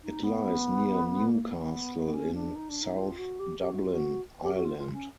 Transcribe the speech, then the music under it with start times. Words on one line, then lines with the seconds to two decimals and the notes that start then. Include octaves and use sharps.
It lies near Newcastle, in South Dublin, Ireland.
0.03 D#4
0.23 B3
1.29 A#3
1.42 A#3
1.50 B3
2.12 C#4
2.33 D4
2.55 D#4
2.69 D4
2.81 D#4
2.97 F4
3.18 F#4
3.39 G4
3.59 G4
3.71 F#4
3.82 F4
3.92 F#4
4.43 G4
4.54 F#4
4.64 F4
4.78 F4
4.93 C#4